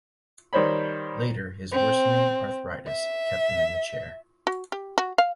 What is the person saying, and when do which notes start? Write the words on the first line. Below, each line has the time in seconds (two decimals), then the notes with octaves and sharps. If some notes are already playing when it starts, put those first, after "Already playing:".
Later, his worsening arthritis kept him in the chair.
0.53 D#3 G3 C5 C#5 B5
1.71 C4
2.86 E5
4.47 F#4
4.72 G4
4.98 F#4
5.18 F5